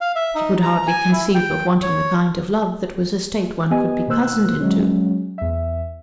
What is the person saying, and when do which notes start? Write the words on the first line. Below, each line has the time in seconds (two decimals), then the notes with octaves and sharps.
She could hardly conceive of wanting the kind of love that was a state one could be cozened into...
0.01 F5
0.16 E5
0.35 D#4
0.63 A#5
0.87 G#5
1.12 E4
1.35 G5
1.83 C#5
3.71 B3 G4 D#5 G#5
4.08 B2 D#3 A#3 C5 E6 F#6
4.60 F#3 G#3 C#4
5.38 E2 E5